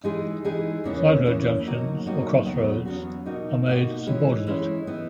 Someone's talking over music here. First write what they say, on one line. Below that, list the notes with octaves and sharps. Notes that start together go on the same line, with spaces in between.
Side road junctions, or crossroads, are made 'subordinate'.
E3 G#3 D#4 G#4
E3 G#3 D#4 G#4
E2 C#3 E3 A#3 C#4
E2 C#3 E3 A#3 C#4
B2 F#3 A#3 D#4 F#4
B2 F#3 A#3 D#4 F#4
E2 C#3 F#3 B3 F#4
E2 C#3 F#3 B3 F#4
B2 A#3 D#4 F#4
B2 A#3 D#4 F#4
E3 G#3 C#4
E3 G#3 C#4
E3 B3 D#4